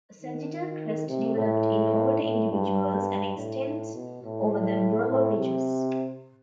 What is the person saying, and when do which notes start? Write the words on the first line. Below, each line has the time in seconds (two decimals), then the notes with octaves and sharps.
A sagittal crest developed in older individuals and extends over the brow ridges.
0.22 D#3
1.08 C3
1.36 A2
2.22 A2
2.51 G2
3.37 A2
3.94 B2
4.23 A2
4.52 A2
5.09 A2
5.37 C3